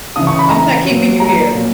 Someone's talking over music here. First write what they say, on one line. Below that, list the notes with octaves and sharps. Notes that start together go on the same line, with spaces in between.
I'm not keeping you here.
C#3 E3 D#6
C#6
B5
A#5
A#2 F#3
A#5
A#2 F#3